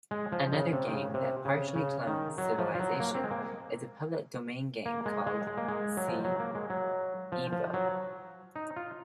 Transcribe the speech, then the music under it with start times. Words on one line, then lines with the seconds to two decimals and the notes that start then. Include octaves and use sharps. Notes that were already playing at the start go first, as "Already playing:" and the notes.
Another game that partially clones Civilization is a public domain game called "C-evo".
0.11 G#3
0.32 F3
0.52 C#3
0.72 C3
0.87 D#3
0.94 C#3
1.14 C3
1.45 C#3
1.76 C#3
2.07 D#3
2.38 F#3
2.58 F3
2.75 F3
2.79 F#3
3.00 A#3
3.15 C4
3.24 G#3
3.31 A#3
4.86 A#3
5.06 G#3
5.26 G#3
5.47 G#3
5.57 A#3
5.68 G#3
5.97 F#3
6.08 F3
6.24 F#3
6.40 A#3
6.55 G#3
6.70 F#3
7.32 F3
7.52 F3
7.74 F#3
8.56 D#4
8.76 F4